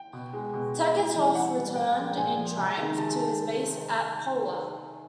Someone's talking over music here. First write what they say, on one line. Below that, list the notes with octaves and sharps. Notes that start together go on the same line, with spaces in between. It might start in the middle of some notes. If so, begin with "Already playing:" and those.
Tegetthoff returned in triumph to his base at Pola.
Already playing: G5
B2
G#3
B2
G#3
A2
E3 G3
A2 F#5
E3 G3
A#2 G5
F3 G#3 G5
A#2 G#5
F3 G#3
C3
D#3 G#3
C3 A5